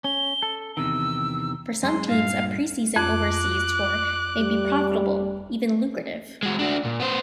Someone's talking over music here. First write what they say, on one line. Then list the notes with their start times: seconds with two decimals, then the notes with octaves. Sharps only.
For some teams a pre-season overseas tour may be profitable, even lucrative.
0.04 C#4 G7
0.43 A4
0.77 E2 C3 D#3 E6
1.83 F#2 G#3 C6
2.08 G2 A#2 F5
2.96 F2 D6 F#6
4.39 G3
6.43 G#3 F#4
6.59 D4 F#4
6.85 A#2
7.00 B3 C5